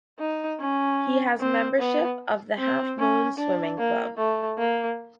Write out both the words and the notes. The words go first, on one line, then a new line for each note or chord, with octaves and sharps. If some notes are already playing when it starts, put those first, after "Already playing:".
He has membership of the Half Moon Swimming Club.
D#4
C#4
C4
B3
C4
C#4
D4
A#3
A3
A#3